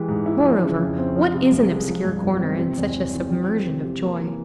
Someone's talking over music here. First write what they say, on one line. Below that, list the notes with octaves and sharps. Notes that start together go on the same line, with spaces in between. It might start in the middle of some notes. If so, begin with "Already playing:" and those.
Moreover, what is an obscure corner in such a submersion of joy?
Already playing: E3 G#3 G4
G#2
E4
F3
C#3
F2
C4
F3
C3
C2
G#3
F3
G2
G1
C4
C3
E2
E1
E3
C4
F3
C3
G4
A#3
E3